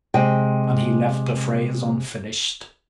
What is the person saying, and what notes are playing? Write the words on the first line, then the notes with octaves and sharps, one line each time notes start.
And he left the phrase unfinished.
C3 G#3 G5